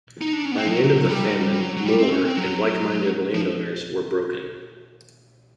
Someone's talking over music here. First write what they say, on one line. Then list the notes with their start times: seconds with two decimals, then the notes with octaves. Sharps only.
By the end of the famine Moore, and like-minded landowners, were broken.
0.21 D#4
0.33 D4
0.45 C#4
0.52 B3
0.58 C4
0.65 F3
0.71 F#3
0.83 F#3
1.03 F#3
1.09 G3
1.24 F#3
1.34 G3
1.53 G3
1.60 F#3
1.76 F#3
1.85 G3
1.99 C4
2.11 C#4
2.25 C4
2.37 F#3
3.35 F3